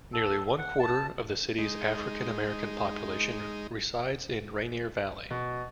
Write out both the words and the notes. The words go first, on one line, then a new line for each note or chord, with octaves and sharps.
Nearly one quarter of the cities' African-American population resides in Rainier Valley.
A4
F#5
A5
G#3 D#4
B2